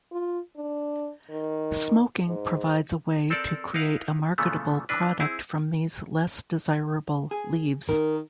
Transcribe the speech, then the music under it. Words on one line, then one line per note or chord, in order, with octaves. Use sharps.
Smoking provides a way to create a marketable product from these less desirable leaves.
F4
D4
D#3
G#2
C4 A4 A#4 C5 D5
D#4 E4 A#4 B4 F5 F#5
A#2 C#3 E3 A3 B3
E3 D4 B4
C4 E4 G#4
G#4
D#3 A#4